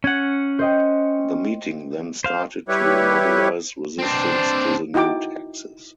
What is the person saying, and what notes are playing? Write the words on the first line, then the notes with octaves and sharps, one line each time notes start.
The meeting then started to mobilise resistance to the new taxes.
C#4 F#5 G#6
C5 D#5 G5
C5 F5
G3 E4 G4 B4 C#5
C4 D4 C5
D#4 E4 F#4 G5 D6